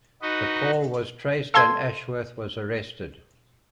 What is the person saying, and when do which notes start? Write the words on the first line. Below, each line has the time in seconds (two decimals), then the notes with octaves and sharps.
The call was traced and Ashworth was arrested.
0.22 D#4 F#4 B4 D#5
1.54 A4 F5 A5 C6 E6 G#6